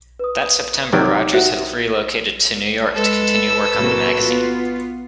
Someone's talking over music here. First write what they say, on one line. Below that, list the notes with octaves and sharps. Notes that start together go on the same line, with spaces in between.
That September, Rogers had relocated to New York to continue work on the magazine.
B4 D#6
C3 D#3 F#3 D5
E4 F#4 C5 E5
G#3 A4 B4 E6
A2 C3 A#3 F#4
B3 F4